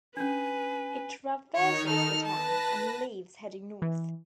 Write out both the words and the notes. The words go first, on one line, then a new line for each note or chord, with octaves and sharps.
It traverses the town, and leaves heading north.
C#4 D4 B4 G#5
D#3 D#4 C#5
A4 F6
B4 A5 A#6
E3